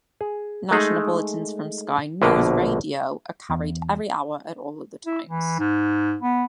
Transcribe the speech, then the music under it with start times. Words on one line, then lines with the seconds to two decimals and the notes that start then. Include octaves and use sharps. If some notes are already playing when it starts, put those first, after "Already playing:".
National bulletins from Sky News Radio are carried every hour at all other times.
0.21 G#4
0.71 G#3 A3 D#4 G#4
2.22 A#1 B2 D3 A#3 B4 G5
3.50 E2
5.06 E4
5.27 E3
5.59 G#2
6.22 B3